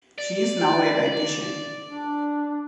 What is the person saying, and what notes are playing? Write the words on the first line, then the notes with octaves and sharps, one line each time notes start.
She is now a dietician.
D5
D4